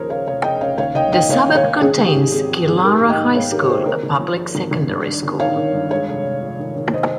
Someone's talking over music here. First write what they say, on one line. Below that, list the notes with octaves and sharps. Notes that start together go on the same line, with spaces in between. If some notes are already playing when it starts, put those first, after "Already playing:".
The suburb contains Killara High School, a public secondary school.
Already playing: D#2 C#3 F3 G#4 A#4 C5 C#5
C#3 C#5 F5
F1 C#5 F5
F1 D#5 G5
C#3 C#5 F5
D#2 C#5 F5
D#2 D#5 G5
D#3 D#5 G5
D#2 C#5 F5
D#3
C#5 F5
D#2
G#1 G#4
G#1
G4
G#2
C4 G#4
F3
G#2 G#4
G#2 G4 A#4
D#3
D#5 G5
G#2
D#3 C#5 F5
D#3 G4 A#4
A#3 G#4 C5
G#1 A#4 C#5
G#1
F3
F3
G#1
G#1
G2
G2
G1
D#3 C#5 F5
D#3
G2
G#3 C#5 F5
F1
F1
F2
D#3
D#3
F1 C5 D#5